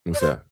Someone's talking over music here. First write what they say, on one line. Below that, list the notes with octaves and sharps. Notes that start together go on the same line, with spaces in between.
What's that?
D5
C5